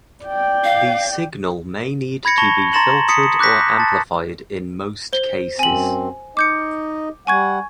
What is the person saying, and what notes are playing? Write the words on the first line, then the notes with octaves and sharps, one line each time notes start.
The signal may need to be filtered or amplified in most cases.
D5 G5
F5
B5 G#6 A#6 C#7
A5 C#6 A#6 F7 G7
A#5 C6 A6 A#6 E7 F#7
D#6 B6 C#7
D6 F#6 G6 A#6 B6
A5 C6 A6
C5 G7
F#2 C4 G#5 F#7
D#4 D#5 D6 G6 C#7
G3 F#5 G#5 C#6 G#6